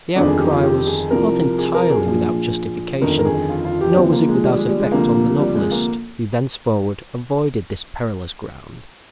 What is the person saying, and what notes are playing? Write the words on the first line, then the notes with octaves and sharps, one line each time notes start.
The outcry was not entirely without justification, nor was it without effect on the novelist, who thenceforward avoided this perilous ground.
G1 F2 D#3 D4
G#4
G4
D#4
F4
G4
G#4
C2 C3 F3 A#4
G#4
A#4
G#4
A#1 A#2 F3
G1 F2 D#3 A#4
A#4
G#4
F4
F4
G4
D4
D#2 D3 F3 C4
A#3
G#3
G3
G#3
G3
G#3
D2 C3 F3 A#3
G3
G#3
A#3